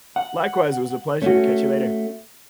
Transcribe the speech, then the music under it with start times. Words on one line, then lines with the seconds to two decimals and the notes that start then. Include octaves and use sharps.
Likewise, it was a pleasure, catch you later.
0.16 F#5
1.22 A3 C#4 F#4